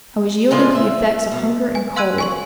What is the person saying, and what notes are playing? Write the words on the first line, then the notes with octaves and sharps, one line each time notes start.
I was yielding to the effects of hunger and cold.
A2 G#3 F4 D5
E5
B2
G#5
F5 C6 E6 F#6 G#6 D#7
G#5 C#6 F#7